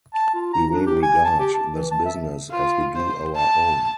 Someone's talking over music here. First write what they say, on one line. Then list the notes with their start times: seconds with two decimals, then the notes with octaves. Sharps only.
We will regard this business as we do our own.
0.14 A5
0.34 F4
0.53 A#5
0.73 D4
0.86 G4
1.02 G#5
1.24 A5
1.39 G4
1.54 A5
1.74 E3
1.91 A5
2.05 E5
2.52 F4
2.96 C5
3.36 A5